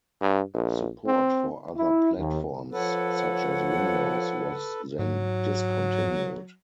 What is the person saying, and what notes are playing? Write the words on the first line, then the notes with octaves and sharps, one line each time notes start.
Support for other platforms, such as Windows, was then discontinued.
G2
A#1
C4
E4
D#2
F3 A4 B4 C#5 F#5
G#2 F#3